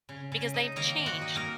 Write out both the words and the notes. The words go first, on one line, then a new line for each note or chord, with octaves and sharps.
because they've changed
C#3
C#3
D#4
D#3 A#3 A#4
D#3
F#4
D#4
A#3 A#4